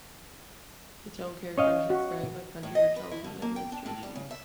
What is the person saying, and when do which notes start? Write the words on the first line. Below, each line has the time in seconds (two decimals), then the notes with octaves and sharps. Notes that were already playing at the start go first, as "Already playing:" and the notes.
The tone characteristics vary by country or telephone administrations.
1.58 C#4 C#5 D#5 F5
1.90 F#4
2.63 A2
2.75 D#5
2.96 B4
3.11 E4
3.24 D3
3.42 A#3
3.56 G5
3.72 D4
3.86 A2
4.03 G3
4.16 C#3
4.31 E5